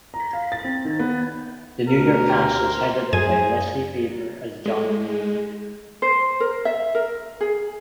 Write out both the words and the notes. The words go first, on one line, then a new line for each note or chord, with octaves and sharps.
The New York cast was headed by Leslie Faber as John Rhead.
A#5
F5
A6
C4
D#3
B3
D2 B2 A#4
G4
C5
F#2 G#4 G#6 D#7
G#3 A4
G#4
C5
A#4
E5
A#4
G#4